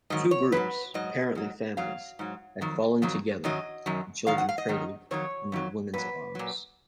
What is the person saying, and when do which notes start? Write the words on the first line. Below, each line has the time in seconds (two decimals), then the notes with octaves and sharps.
Two groups, apparently families, had fallen together, the children cradled in the women's arms.
0.10 G#2 D#3 F#3 D#5
0.31 C#5
0.52 D#3 F#3 B4
0.57 G#2
0.94 G#2 F#3 D#5
1.35 G#2 F#3
1.77 G#2 F#3 F5
2.19 G#2 F#3
2.61 F2 D#3 F#3
3.02 F2 D#3 F#3
3.44 F#2 D#3 F#3 D#5
3.86 F#2 D#3 F#3
4.27 G#2 D#3 F#3 F5
4.38 F#5
4.49 F5
4.58 D#5
4.68 G#2 D#3 F#3
5.11 F2 D#3 F#3 C#5
5.52 F2 D#3 F#3
5.94 A#2 F#3 B4
6.35 A#2 F#3